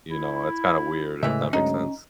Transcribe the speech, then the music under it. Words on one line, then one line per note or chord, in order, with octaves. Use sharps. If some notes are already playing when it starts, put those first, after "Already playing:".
you know, it's kinda weird, if that makes sense.
E4
A2 C#3 E3 G#3 E5
D2 G#2 F#3 C#4 D#4